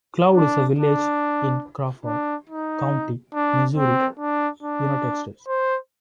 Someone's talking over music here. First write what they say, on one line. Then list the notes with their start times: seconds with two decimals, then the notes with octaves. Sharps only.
Cloud is a village in Crawford County, Missouri, United States.
0.35 D4
0.78 D4
2.05 D4
2.49 D#4
3.34 D4
3.77 C4
4.19 D4
4.62 D4
5.47 C5